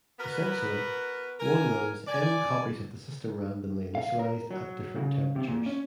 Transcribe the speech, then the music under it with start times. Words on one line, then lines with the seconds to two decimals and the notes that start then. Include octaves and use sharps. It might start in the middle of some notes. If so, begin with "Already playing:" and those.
Essentially, one runs "N" copies of the system, randomly initialized, at different temperatures.
0.20 B3 F#4 A#4 B4
1.39 A#4 G#5
2.08 D5 G#5
3.95 F5
4.19 A#4
4.51 F#3
4.96 C#3
5.36 C3
5.48 A#2
5.66 C#4